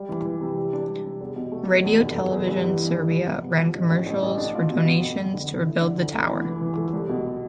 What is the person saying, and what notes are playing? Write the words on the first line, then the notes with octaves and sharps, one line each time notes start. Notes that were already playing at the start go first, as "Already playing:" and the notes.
Radio Television Serbia ran commercials for donations to rebuild the tower.
Already playing: G3
E3
E3
C3
G3
D4
G3
C3
E2
B2
A3
B2
E2
F1
F1
E2
G2
E3
E3
G2
F3
C3
B3
F3
A1
A1
A1
A1
D4
F4
B2
B3
F2
F2
D3
F2
E4
D3
D2
D2
E3
E3
E3
A3
C2
B2